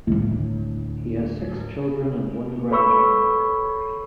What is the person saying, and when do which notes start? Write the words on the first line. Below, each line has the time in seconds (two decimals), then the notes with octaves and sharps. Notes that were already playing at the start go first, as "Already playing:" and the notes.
He has six children and one grandchild.
0.07 D2 A2
2.70 A4 B4 C#5 B5 C#6 E6